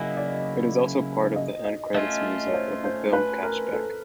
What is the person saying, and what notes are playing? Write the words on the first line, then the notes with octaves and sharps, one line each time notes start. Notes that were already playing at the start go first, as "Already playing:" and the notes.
It is also part of the end credits music of the film Cashback.
Already playing: C#3 F#3 A#3 C#4 E4 D#5
D5
D#5
D#5
A3 C#4 F4 D#5
C#5
C5
C5
B4
A#4
A4